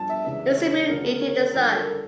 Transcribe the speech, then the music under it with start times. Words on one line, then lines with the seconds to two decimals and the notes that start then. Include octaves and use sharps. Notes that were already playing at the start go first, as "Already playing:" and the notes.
Is the moon eating the sun?
Already playing: G2 F3 A5
0.09 E5
0.25 C#2 C#3 E3 E5
0.57 C#5
0.89 D2 C#3 F3 A#4
1.05 A#4
1.21 C#5
1.53 G2 D3 F3 A#4
1.69 A4
1.85 A#4